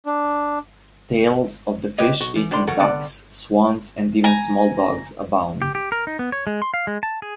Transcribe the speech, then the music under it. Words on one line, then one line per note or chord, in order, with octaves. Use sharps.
Tales of the fish eating ducks, swans and even small dogs abound.
D4
G4 B4 C#5 D#5
B1 F#4
E3
A2 D4 D5 A#5 C6
E3 F#3 A3 A4 A#4 F#5
C2 D3 B3 D5 F#5
G#5 A#5
G4
G4
A#4
D#4
B3
C#5
G#3
C6
F5
G#3
A5
G#4